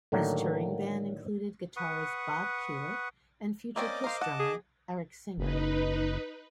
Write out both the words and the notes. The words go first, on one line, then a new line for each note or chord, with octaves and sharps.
His touring band included guitarist Bob Kulick and future Kiss drummer Eric Singer.
A2 D3 D#3 F#3 A#3
B4 F#5 C#6 D#6
A#3 C4 C#4 D5 D#5 D6
A#4 C5 F5
F#5 A5
G#4
F#1 D#4 B4